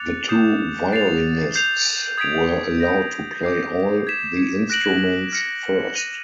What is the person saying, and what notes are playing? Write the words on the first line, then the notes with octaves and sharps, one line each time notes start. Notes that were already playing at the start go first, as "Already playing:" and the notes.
The two violinists were allowed to play all the instruments first.
Already playing: D6 F#6 A6 C#7 F7
D#6 G6 C7 E7
A6 C7 F7
G6 C7 F7
D#6 G#6 B6 D7 F7
D#6 G6 A#6
D6 G6 C7
G#6 B6 E7
F#6 A#6 D7 F#7
F6 A#6 C#7
F#6 A#6 D#7